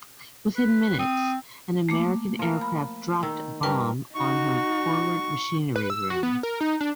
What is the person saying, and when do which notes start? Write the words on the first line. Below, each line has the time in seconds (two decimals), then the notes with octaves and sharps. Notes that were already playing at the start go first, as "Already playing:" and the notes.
Within minutes, an American aircraft dropped a bomb on her forward machinery room.
0.56 B4
0.99 C4 D#6
1.89 A3 A#3 D6
2.39 F3 A#4
2.61 B5
3.23 D#3 E6
3.63 G2 A#4 B4 G5 A5
4.15 D#4 F#4 C#6
5.76 B4
5.90 E6
6.10 F#4
6.23 B3
6.43 A#4
6.61 D#4
6.81 D4